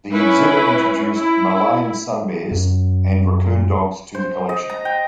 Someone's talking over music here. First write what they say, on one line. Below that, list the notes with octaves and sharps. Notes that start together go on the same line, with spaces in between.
The exhibit introduced Malayan sun bears and raccoon dogs to the collection.
C#4 E4 B4
E4
F#2
C5
D#5
A#5
G5